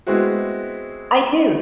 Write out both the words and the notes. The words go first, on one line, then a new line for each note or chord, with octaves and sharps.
I do.
G#3 B3 C4 E4 F#4